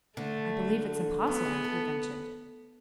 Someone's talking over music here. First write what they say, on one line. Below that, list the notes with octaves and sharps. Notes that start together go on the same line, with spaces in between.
"I believe it's impossible," he ventured.
D3 A3
F#3 B3
G#3
A3